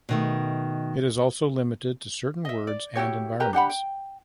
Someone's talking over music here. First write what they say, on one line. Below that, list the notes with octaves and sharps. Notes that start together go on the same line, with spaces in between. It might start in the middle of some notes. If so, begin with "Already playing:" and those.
It is also limited to certain words and environments.
B2 D#3 A3
D#5 E5
D5
E4 F#4 G4 C#5
G4 A#4 B4 A#5
D4 G4 F#5 B5
G5